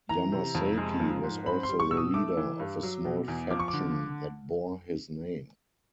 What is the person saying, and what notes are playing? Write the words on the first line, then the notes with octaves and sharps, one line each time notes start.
Yamasaki was also the leader of a small faction that bore his name.
E3 A#5
C3
F2
G#3
F3
G#2
C4 B5
C6
G3
C#6
B2 E6
D#6
A3 D6
E3
G2
F#3
B2
E2
F3 D6
C#6
D3 D6